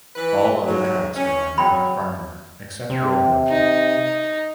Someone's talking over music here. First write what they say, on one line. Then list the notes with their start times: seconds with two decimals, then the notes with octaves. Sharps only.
All other tracks are by Mark Farner, except where noted.
0.16 E3 B4
0.66 G#2 C#3 F#3
1.16 C#4
1.58 C#3 F#3 G5 B5
2.90 C3
3.48 D#4